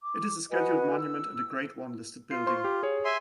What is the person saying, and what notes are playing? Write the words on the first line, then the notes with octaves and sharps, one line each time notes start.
It is a scheduled monument and a Grade One listed building.
D6
F#4 B4 D#5 G#5
E6
F4 C7
C5 C6 C#6
G4
G#4 C#5
E5 G#5 C6